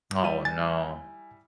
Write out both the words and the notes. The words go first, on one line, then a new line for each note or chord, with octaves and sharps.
Oh no.
G3 E4 D#7
G#5 A6